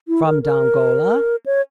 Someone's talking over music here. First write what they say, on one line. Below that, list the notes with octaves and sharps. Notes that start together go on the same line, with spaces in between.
"From Dongola?"
E4
A#4
A#4
C#5